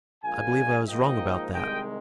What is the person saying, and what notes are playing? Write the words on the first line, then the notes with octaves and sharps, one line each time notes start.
I believe I was wrong about that.
A#1 A#2 G#3 F5 G#5
G#2 F3 A#3 D#4 D#5 G5
C2 C3 D#3 G#3 D#5 G5